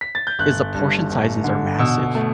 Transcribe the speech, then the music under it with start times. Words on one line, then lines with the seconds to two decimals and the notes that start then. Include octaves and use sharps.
is the portion sizes are massive,
0.01 B6
0.15 A6
0.27 G6
0.39 G1 F#6
0.74 G2
1.10 G1
1.44 D3
1.79 B2 E6
2.15 A3